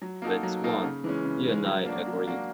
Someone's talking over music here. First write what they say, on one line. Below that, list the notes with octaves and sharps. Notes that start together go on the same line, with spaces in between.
That's what he and I agreed.
F#3
A#3 D#4 F#4 A4
F#3
A#3 D#4 F#4 A4
C#3
E3 G#3 C#4
C#3
E3 G#3 C#4
F#3
A#3 D4 F#4
F#3
A#3 D4 F#4